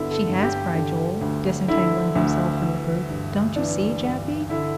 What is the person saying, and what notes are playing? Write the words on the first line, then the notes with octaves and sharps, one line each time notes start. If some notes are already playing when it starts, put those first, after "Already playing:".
"She has," cried Joel, disentangling himself from the group, "don't you see, Jappy?"
Already playing: G2 D3 B3 E4
A4
G2
G4
D3
D2
D3 E4
D2
E3
G2
E3 D4
G2
D3 E4